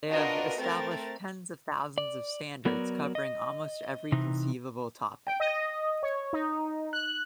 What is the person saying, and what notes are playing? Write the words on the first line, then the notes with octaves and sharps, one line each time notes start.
They have established tens of thousands of standards covering almost every conceivable topic.
D4 F4 F#4 A#4 B4 D#5
A3 C4 A#4 A6
D5
F#3 B3 A#4 D5
D#5
C3 E3 D#4
G5
D#5
C#5
D#4
F#6